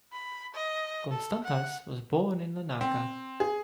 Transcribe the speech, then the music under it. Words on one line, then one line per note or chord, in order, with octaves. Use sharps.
Constantas was born in Larnaca.
B5
D#5
A4
F#5
C4
G#4